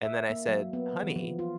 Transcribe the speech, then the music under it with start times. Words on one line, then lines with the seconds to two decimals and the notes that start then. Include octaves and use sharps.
and then I said, "Honey,
0.03 E5
0.30 A#3
0.48 F#3
0.73 B3
1.03 E3
1.16 F3
1.39 F4